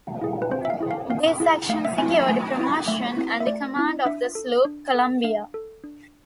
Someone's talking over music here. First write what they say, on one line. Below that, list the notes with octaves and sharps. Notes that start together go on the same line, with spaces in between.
This action secured promotion and the command of the sloop "Columbia".
E4 G#4
B4
C4 C5
E5
F5
E4 G#4
F5
C4 F5
E4 G#4
A3 F5
E5
C4 E4 G#5
E5
A3 G#5
C4 E4
A3 E5
C4 E4
E5
A3 D5
C4 E4
D4 E5
A4
D4
A4
D4 F5
A4
D4